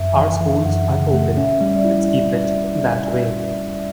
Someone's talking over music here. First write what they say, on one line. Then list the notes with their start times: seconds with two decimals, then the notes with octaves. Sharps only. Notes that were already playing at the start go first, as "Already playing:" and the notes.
Our schools are open. Let’s keep it that way.
Already playing: F#2 E5
0.17 E3
0.41 E3
0.65 F#2 F#5
0.90 C#3
1.13 A3
1.37 C#4 E5
1.61 G3
1.73 D5
1.85 E4